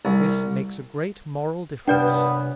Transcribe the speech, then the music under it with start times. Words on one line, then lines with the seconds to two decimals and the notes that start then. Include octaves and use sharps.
This makes a great moral difference.
0.05 C2
1.88 G2 C3 B3 D4 B4 D5 G5